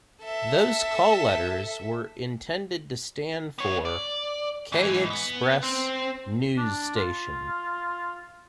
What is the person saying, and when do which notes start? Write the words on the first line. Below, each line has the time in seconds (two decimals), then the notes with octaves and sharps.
Those call letters were intended to stand for, K-Express News Station.
0.22 A4 E5
3.58 B3 C#5
3.85 D5
4.72 G#2 E3
5.10 B3
5.63 C4
6.57 D4
6.96 F4